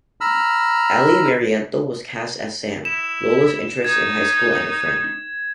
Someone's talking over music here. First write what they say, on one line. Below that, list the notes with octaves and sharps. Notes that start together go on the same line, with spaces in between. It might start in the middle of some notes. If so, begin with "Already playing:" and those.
Eli Marienthal was cast as Sam, Lola's interest in high school and her friend.
A#5 B5 E6 F6
E4 E7
D#4 G#6